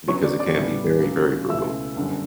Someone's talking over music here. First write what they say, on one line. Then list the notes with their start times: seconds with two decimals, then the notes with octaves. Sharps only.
because it can be very, very brutal.
0.08 D2 C#3 F#3 B3 C#5 C#6
0.24 D5 D6
0.40 D5 D6
0.55 A1 A2 G3 B3
1.02 C#2 C#3 F#3
1.49 C#2 B2 A3 E4 E5 E6
1.96 G1 F#2 D3 G3 D4